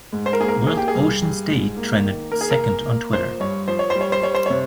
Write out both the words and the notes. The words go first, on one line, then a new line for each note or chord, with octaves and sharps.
World Oceans Day trended second on Twitter.
G#2
C5
A#4
A#3 G#4
A#4
A#3 G#4
G4
G#4
G2
G2
G#2
A#3
D#3
A#3 A#4
G#4
A#4
A#3
A#3
F3 C5
G2 C#5
F3 C5
C#5
C5
G3
C#5
C5
G3 C#5
C5
C3 C#5